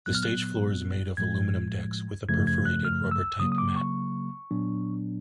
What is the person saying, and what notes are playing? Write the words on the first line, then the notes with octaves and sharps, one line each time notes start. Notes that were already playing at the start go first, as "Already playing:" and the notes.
The stage floor is made of aluminum decks with a perforated, rubber-type mat.
A#2 F#3 B3 F#6
F6
F#6
A2 F3 G#3 G#6
F#2 C#3 F3 A3 G#6
G#6
F#6
F6
E6
C#3 F#3 A#3 D#6
D#6
D6
C#6
A#2 F#3 B3 D4